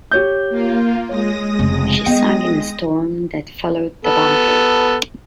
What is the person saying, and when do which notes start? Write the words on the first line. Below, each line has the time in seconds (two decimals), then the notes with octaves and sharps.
She sank in the storm that followed the battle.
0.11 G4 C#5 G6
0.49 A#3 F4
1.09 G#3 C#5 D#6 A#6
1.59 F1 C#3
2.06 B3 D#5 G5
4.05 B3 A4